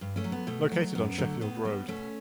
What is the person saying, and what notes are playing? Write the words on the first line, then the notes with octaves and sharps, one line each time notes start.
Located on Sheffield Road.
G2
A3 C#4
F#3
B3
B2 A3
F#3
F#2 B3
D3 F#3 A3
A2 B3
G3
B2 A3 C#4